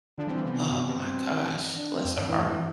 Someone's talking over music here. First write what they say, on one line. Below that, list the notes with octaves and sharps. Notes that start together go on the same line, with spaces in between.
Oh, my gosh, bless her heart.
D3 F3 D4
E3 G3 C4
D3 F3
C3 E3 B3
C3 E3
G2 B2
G2 B2 C4
D4
C4
F2
G2
F2 A2 E3
G2 E3